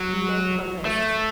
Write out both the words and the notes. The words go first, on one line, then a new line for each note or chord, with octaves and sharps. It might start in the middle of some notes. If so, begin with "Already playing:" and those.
make the list
Already playing: F#3
A3